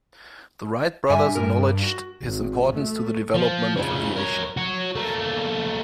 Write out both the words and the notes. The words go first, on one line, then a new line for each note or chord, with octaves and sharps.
The Wright brothers acknowledged his importance to the development of aviation.
G2 E5 G#5
A#4
F#4
G#1
A3
F3
F2 C#3
A#4 C#5
F#4 C#5
A3 A#3